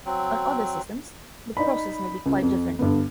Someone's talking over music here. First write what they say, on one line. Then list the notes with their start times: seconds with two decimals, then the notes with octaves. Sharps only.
On other systems, the process may be quite different.
0.05 F#3 C4
1.57 D#4 D5 B5
2.26 C#2
2.42 F2
2.79 G2 D3 B3